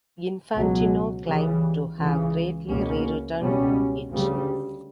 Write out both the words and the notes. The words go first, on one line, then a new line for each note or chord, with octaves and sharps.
Infantino claimed to have greatly rewritten it.
C#2 B2 F#3
C#2 C#3 E3 G3
C#2 C#3 E3
C#2 B2 A#3 C#4
C#2 B2 G3 C#4
D2 C#3 G3